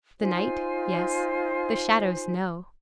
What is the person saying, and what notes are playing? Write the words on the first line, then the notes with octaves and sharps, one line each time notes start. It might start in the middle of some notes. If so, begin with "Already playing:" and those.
The night, yes; the shadows, no.
D#4 F4 C5 G#5